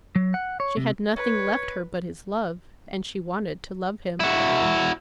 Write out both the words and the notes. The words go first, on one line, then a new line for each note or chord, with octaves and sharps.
She had nothing left her but his love, and she wanted to love him.
F#3
F#5
C#5
C3
B4 C#5
E4 F#4